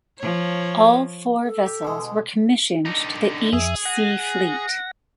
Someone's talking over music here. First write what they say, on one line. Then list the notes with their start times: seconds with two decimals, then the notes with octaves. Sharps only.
All four vessels were commissioned to the East Sea Fleet.
0.19 F3 C#5
1.43 A4
1.66 G4
1.82 B2 D3 G#3
2.86 D3 D#4
3.53 F2 G#4 E5
3.85 F#5 A#6